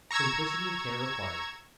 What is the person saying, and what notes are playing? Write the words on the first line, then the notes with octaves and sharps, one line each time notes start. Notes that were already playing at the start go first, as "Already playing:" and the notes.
Simplicity of care required.
A#5 C#6 E6 G#6